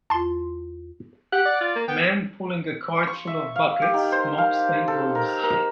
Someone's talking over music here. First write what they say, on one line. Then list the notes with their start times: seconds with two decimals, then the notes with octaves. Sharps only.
Man pulling a cart full of buckets, mops and brooms.
0.10 E2 F4 A5 C6
1.32 G4 F#5
1.45 D5
1.61 F4
1.76 A#3
1.88 B3 G5
3.07 C#6
3.27 E5
3.56 F5
3.82 G4
3.94 D#3
4.12 C5
4.38 F5
4.88 A4
5.15 A#4
5.43 A#4